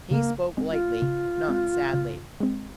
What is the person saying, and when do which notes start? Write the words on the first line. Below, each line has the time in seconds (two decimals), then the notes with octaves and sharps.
He spoke lightly, not sadly.
0.11 C#3 A#3
0.57 G#3 C4
0.72 F4
1.02 C#3
1.48 G#3 C4
1.94 C#3
2.40 G#3 C4